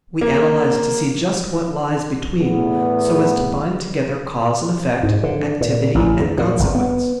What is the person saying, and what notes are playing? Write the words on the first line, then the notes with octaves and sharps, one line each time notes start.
We analyze to see just what lies between so as to bind together cause and effect, activity and consequence.
A#3
E2 A2 B3
G#2
D3
A#2
A1
E2
A#2
G1
B3